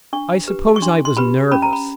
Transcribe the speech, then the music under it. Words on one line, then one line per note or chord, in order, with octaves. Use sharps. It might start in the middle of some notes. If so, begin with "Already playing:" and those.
I suppose I was nervous.
D4 C#6
G4 B4
C#6
D4 C6
C6
G4 B4 B5
C#4 B5
A#5
B5